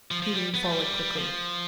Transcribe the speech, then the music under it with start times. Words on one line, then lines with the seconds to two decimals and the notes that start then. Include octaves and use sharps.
He leaned forward quickly.
0.11 F3
0.22 F3
0.34 G3
0.54 B3
0.63 A3
0.72 G3
1.15 F3